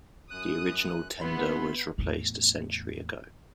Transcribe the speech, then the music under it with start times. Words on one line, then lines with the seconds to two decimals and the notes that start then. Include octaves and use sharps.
The original tender was replaced a century ago.
0.31 F#2 D#6 F#6
1.21 B3 E4 B5 C6
1.98 E2 A2